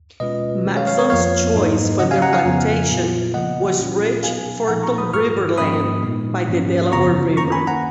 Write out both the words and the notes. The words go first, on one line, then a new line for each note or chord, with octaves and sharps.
Mattson's choice for their plantation was rich, fertile river land by the Delaware River.
B2 G#3 C#4 F4 B4 D#5
D#3 G#3 C#4
C#5 F5
C#5 F5
A#4 C#5
F2 F3 A#3 C#5 F5
G#2 F#3 A#3 D#4
C#3 F#3 C#4 D#5 F#5
F5 G#5
F#5 A#5
F5 G#5
F2 C#3 F3 B3
A#2 F#3 B3 F4
C#3 F3 A#3 D#5 F#5
A#2 F#3 C#4 F4
B2 F#3 B3 D#4 F5 G#5
A#2 F3 A#3 D#4 F#5 A#5
A#5 C#6
B5 D#6
G#2 D#3 A#3 F4 C#6 F6
G#2 F3 A#3 C#4 B5 D#6
A#2 G#3 B3 D#4
G#2 F3 A#3 C#4
F#2 C#3 F3 B3 F4 A#5 C#6
D#3 A#3 C#4 A#5 C#6
G#5 B5
F#5 A#5